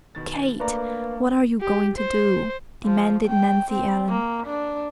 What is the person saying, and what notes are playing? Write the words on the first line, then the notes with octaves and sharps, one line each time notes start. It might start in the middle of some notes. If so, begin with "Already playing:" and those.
"Kate, what are you going to do?" demanded Nancy Ellen.
B2 D#3 A6
A3 A#3 D4 B4 D5 A#5
G4
C5
F3
G5
C4
A#3
D4